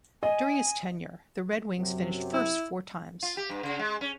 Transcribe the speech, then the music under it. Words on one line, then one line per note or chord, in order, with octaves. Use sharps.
During his tenure, the Red Wings finished first four times.
D#5 G#5
F#2 C3 F#3
E4
F4
G4
G2
C#3
G#3
C#4